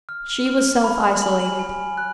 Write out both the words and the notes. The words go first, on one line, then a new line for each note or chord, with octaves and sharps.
She was self-isolated.
F6
F6
B5
G#5 F#7
F#7
G#5
F#6